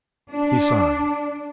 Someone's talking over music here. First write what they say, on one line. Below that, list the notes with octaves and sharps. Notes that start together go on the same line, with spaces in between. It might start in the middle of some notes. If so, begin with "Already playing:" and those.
He signed.
D4